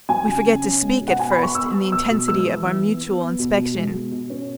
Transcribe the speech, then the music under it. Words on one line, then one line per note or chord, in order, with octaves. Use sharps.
We forget to speak at first in the intensity of our mutual inspection.
F#3 G#5
C#3
C#3
C#4
G#3
B2
F#5
B2 G#5
B5
B3
C#6
B3 E6
B3
B2 E6
B2
G#3 E6
E3
E3
B3
B3
B3
B2
B2
G#3
B2
B2
C#4